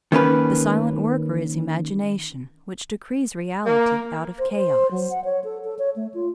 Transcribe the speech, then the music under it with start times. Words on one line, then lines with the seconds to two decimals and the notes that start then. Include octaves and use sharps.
The silent worker is imagination which decrees reality out of chaos.
0.12 D#3 A#3 C#4 B4
3.66 A#3 A#4
4.39 C5
4.56 C5
4.91 F#3
5.10 F#5
5.24 C#5
5.44 A4
5.64 A4
5.79 C#5
5.96 A3
6.14 F4